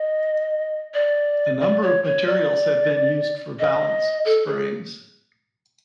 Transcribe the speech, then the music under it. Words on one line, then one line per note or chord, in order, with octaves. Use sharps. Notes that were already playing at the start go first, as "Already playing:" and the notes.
A number of materials have been used for balance springs.
Already playing: D#5
D5
D5
C#5
C#5
D5
D#5
A4
G#4